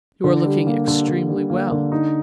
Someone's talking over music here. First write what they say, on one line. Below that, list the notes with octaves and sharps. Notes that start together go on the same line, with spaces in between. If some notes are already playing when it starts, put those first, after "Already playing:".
You are looking extremely well.
D3
G3
A#3
D3
D3
G3
A#3
D3
D#4